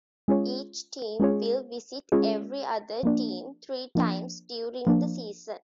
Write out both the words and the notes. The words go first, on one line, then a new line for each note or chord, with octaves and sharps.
Each team will visit every other team three times during the season.
G#3 C#4 F4 G#4 C#5
G#3 C#4 F4 G#4 C#5
G#3 C#4 F4 G#4 C#5
F3 A#3 D4
F3 A#3 D4
F3 A#3 D4